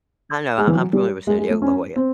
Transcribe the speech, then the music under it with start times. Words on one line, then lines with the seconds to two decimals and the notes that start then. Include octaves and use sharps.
I know. I I'm familiar with San Diego, La Jolla.
0.58 G#3
0.67 E3
0.75 F#3
0.93 G3
1.27 G#3
1.38 G#3
1.50 A3
1.62 C#4
1.96 C4